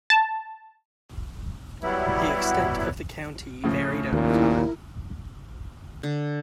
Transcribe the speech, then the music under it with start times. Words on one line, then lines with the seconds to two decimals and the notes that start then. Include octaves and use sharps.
The extent of the county varied over time.
0.10 A5
1.82 F#3 G3 B3 E4
3.64 A2 C#3 F3
4.13 D#2 A#2 E4 A#4
6.03 D3